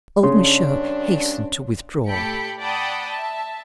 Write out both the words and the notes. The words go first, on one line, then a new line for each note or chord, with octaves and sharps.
Old Michaud hastened to withdraw.
G2 C#3 C#4 D4 C#5 C6
A2 G4 A4 G5 B5 C#7
D5 F#5 G5 A5 B5 D#6
E5 A5